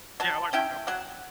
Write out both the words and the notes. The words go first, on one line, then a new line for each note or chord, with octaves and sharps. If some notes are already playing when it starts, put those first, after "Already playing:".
Yeah, I like Montgomery.
F#3 A5
C#4 E4 G5
F#3 F#5